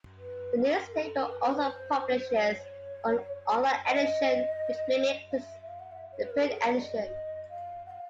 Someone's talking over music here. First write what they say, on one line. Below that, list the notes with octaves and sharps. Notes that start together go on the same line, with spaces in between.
The newspaper also publishes an online edition, which mimics the print edition.
B4
B4
A#4
A4
A4
A#4
B4
B4
C#5
C5
D5
C#5
D#5
F5
E5
F5
F#5
E5
C#5
B4
A#4
A4
G#4
C#5
D5
D#5
F5
F#5
F5